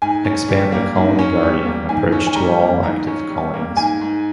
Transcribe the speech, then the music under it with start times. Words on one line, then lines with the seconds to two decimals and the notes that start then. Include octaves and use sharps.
Expand the 'Colony Guardian' approach to all active colonies.
0.02 G#2 G#5
0.25 C#4
0.48 G3
0.72 A#3
0.95 G#2
1.19 C#4
1.43 G3
1.66 A#3
1.89 G#2 G#5
2.12 C#4
2.27 G#5
2.36 G3 A#5
2.60 A#3
2.83 G#2 A#5
3.07 C#4
3.30 G3
3.54 A#3
3.77 G#2 G#5
4.01 G#2